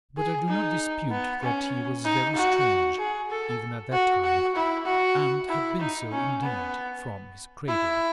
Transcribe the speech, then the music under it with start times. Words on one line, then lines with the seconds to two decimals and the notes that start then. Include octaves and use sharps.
But I do not dispute that he was very strange even at that time, and had been so indeed from his cradle.
0.17 G#4
0.49 D#4
1.11 B3
1.42 C#4
2.05 D#4
2.36 F#4
2.98 G#4
3.30 A4
3.92 F#4
4.24 F#4
4.55 E4
4.86 F#4
5.49 E4
5.80 D#4
6.12 C#4
6.42 B3
7.68 E4